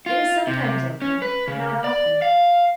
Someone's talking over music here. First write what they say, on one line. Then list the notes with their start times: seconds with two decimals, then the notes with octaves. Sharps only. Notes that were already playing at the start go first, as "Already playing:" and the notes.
It is sometimes open--not often.
0.06 F4
0.47 C3
1.02 C#4
1.22 B4
1.48 C#3
1.84 D5
2.22 F5